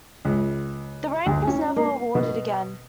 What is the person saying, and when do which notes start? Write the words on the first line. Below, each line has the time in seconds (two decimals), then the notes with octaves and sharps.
The rank was never awarded again.
0.25 C#2
1.26 D2
1.47 C#4
1.77 A#3
2.15 B2